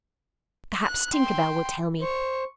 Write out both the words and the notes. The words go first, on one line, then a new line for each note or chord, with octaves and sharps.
'Perhaps Tinker Bell will tell me.'
F#6
G5 C6
C5 C#6